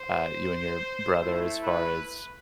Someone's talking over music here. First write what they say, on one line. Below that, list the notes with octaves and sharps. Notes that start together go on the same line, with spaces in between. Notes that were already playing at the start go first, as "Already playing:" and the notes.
uh, you and your brother as far as
Already playing: C5
A3 E4
B4